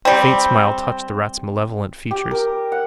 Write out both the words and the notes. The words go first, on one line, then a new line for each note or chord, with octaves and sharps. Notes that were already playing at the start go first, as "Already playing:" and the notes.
A faint smile touched the Rat's malevolent features.
G3 C4
G4
A#4
F#5